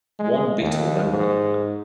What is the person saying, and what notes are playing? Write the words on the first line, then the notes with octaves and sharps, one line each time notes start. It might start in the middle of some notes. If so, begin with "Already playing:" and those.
One beetle only.
G#3
D#2
G#2